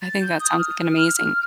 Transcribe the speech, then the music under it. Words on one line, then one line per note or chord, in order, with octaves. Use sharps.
I think that sounds like an amazing
A6
G6
D#6
F6